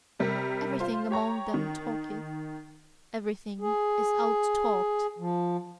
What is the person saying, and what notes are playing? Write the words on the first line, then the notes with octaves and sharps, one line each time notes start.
Everything among them talketh, everything is out-talked.
C3 G3 A#4 B6
F4 C5
G4 C#5 A#5 C#6
D#3
G#4
F3